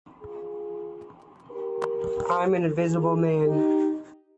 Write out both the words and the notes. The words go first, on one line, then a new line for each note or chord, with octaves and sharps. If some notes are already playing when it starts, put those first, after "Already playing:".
I'm an invisible man.
F4 G#4
G4 A#4
F4 G#4
D#4 G4